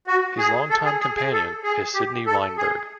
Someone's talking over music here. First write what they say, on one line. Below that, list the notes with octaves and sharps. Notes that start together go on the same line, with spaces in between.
His longtime companion is Sydney Weinberg.
F#4
G#4
A4
G#4
G#4
G#4
A4
G#4
G4
A4
G#4